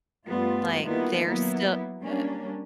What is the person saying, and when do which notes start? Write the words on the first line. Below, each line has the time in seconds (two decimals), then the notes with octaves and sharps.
Like, they're still, uh
0.27 G2 G3 A3 B3 F4
0.83 D#3 G3 A#3 B3 E4 F4
1.25 F#3 A#3 B3 E4
2.00 G3 A#3 C#4 D4